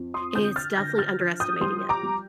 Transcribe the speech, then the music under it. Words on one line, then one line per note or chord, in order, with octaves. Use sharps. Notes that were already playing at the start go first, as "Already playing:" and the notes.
It's definitely underestimating it.
Already playing: F2
C6 D#6
D3 D#6 G6
F6 A6
D3 G6 A#6
F6 A6
F3
D#6 G6
G3 C6 D#6
A#5 D6
G3